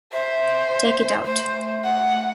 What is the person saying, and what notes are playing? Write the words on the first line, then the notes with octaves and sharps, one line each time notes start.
Take it out!
C5 E5
A3 C5
F#5